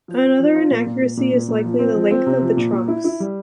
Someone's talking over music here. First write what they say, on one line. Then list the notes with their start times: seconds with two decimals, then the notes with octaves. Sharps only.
Another inaccuracy is likely the length of the trunks.
0.08 F3
0.24 C4
0.39 F3
0.56 F4
0.71 A#2
0.86 A#2
1.02 A#2
1.17 A#2
1.33 A#2
1.48 A#2
1.64 F3
1.79 C4
1.95 F3
2.11 C4
2.26 C3
2.41 F3
2.57 A#2
2.73 A#2
2.88 E4
3.04 E4
3.20 G3